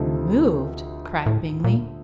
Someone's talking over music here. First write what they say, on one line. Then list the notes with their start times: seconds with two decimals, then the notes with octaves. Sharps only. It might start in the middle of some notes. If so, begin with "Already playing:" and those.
"Removed!" cried Bingley.
Already playing: D2 C3 F3 A3 D#4
1.26 A2
1.64 A#2